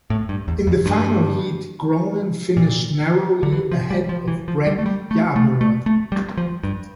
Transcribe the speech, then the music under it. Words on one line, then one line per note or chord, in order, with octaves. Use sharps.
In the final heat, Gronen finished narrowly ahead of Bret Yarborough.
A2
G2
E2
F2
G2
A#2
D3
E3
F3
G3
F3
E3
F3
G3
A3
G3
A3
A3
A3
A3
G3
F3
G2